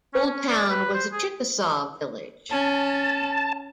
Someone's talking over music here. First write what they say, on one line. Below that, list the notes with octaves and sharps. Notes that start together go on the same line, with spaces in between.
Old Town was a Chickasaw village.
C#4
C#4
D5
B4
C5
G#4
C#4 A5